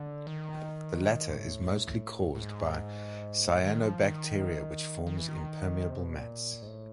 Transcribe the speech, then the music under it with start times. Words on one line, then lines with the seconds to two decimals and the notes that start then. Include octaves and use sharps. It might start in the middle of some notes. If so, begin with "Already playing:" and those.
The latter is mostly caused by cyanobacteria which forms impermeable mats.
Already playing: D3
0.27 D#3
1.28 G#2
1.33 A2
2.35 A2
2.41 G#2
3.47 A2
3.64 D#3
3.82 F3
4.01 D#3
5.07 D#3
5.17 E3
5.28 D#3
5.90 C3
6.01 B2
6.13 A#2
6.62 G#2
6.67 A2